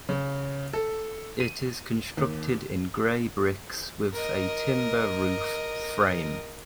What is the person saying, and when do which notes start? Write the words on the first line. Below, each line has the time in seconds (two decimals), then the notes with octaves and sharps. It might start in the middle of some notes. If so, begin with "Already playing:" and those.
It is constructed in grey bricks with a timber roof frame.
0.09 C#3
0.73 A4
1.40 D#7
2.17 D#2
4.13 A#4 D#5